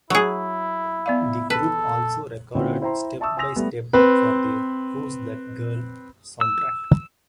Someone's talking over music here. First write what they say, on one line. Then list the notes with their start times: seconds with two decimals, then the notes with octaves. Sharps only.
The group also recorded "Step by Step" for the "Who's That Girl" soundtrack.
0.10 F#3 E4 G#4
1.06 B3 D5 F5
1.50 A4 B4
2.55 A#2 D3 C4 C#4 E4 F#4
2.81 E4 C5 G5 A#5 C6
3.20 E5 A5 C#6 D#6 E6
3.37 G#5 C6 D#6 E6 A#6 F7
3.56 G3 A3 B3
3.93 C4 B4
6.41 E6